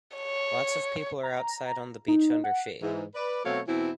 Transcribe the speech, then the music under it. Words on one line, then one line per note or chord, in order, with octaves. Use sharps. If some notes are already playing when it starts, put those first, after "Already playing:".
Lots of people are outside on the beach under shade.
C#5
A#5
D#4
F#5
G#2 E3
B4 D5
B2 F#3 A3 C4 C#5 F5
E2 B2 E3 C4 E4